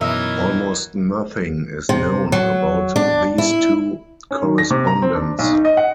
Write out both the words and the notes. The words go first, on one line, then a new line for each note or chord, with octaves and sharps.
Almost nothing is known about these two correspondents.
F#2 B2 E3 F#3 D#4 A#4 D#5 E5
C3
F#3
D4
E4
C#4
D#3
A#6
C3
A#5
C4
D4
B1
D#4
D#5
F#5